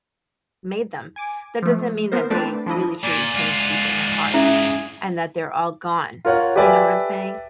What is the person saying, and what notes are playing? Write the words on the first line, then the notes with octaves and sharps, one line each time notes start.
made them. That doesn't mean that they really truly changed deep in their hearts, and that they're all gone, you know what I'm saying?
G#5 D6
F3 A3
B3 A#4 C5
A3 C4 D4 A4 B4 D5
F3 D4 E4 D#5
A#2 D5 G#5 D6
G#2 F4 D5 F#5 G#5
C#4 E4 G#4 E5
F4 A#4 C#5 F#5
G4 A4 B4 D5 E5 G#5